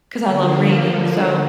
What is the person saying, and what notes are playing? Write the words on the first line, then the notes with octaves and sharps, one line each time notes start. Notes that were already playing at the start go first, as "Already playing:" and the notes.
'cause I love reading, so
D3 F3 A#3